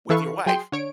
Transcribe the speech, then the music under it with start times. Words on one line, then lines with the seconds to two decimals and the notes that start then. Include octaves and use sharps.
With your wife.
0.09 E3 E4 A4 B4 F5 C#6
0.46 F#3 G#4 G5 C6
0.72 D3 C#5 D7